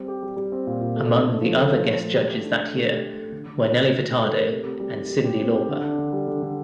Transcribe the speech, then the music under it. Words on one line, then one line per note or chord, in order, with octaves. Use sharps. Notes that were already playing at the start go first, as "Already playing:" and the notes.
Among the other guest judges that year were Nelly Furtado and Cyndi Lauper.
Already playing: G3 C4
G4
G3
G3
C4
A#2
A#2
A3
D4
A3
F3
A3
F3
A3
A3
G4
A3
D4
A3
A3
G4
A3
A3
D3
D3
D#4
A3
A3
D#4
A3
A#4
C3
C3
G3
G3
G3
G4
C4
G4
D3
D4
D3
G3
D3
D3